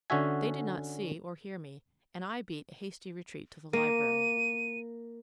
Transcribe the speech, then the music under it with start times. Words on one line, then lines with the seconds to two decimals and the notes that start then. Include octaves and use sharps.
They did not see or hear me, and I beat a hasty retreat to the library.
0.10 D3 C#4 D4 F#4 E5 G#5
3.73 A#3 D#7